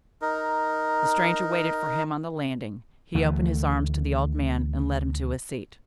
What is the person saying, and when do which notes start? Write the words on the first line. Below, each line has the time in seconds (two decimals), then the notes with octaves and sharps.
The stranger waited for him on the landing; he opened his arms to the old man, and led him to a seat.
0.22 D#4 A#4
3.15 D2 E3 A3